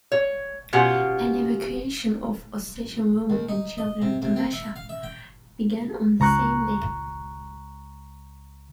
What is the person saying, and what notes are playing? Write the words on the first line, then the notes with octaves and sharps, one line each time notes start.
An evacuation of Ossetian women and children to Russia began on the same day.
C#5
B2 C#4 F4 G4 F#5
D#2
D#4
D#5
C3
C3
C4
E5
F5
E5
G5
C#2 A#5 C#6 F#6